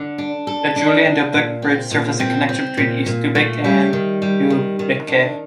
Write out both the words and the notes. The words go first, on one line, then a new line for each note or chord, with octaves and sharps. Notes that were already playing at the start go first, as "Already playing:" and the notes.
The Julien Dubuque Bridge serves as the connection between East Dubuque and Dubuque.
Already playing: D3
D4
A4
D4
D4
A#2
C4
A#2
C4
C4
A#2
A#2
A3
G3
D#3
G3
D#3
D#3
D4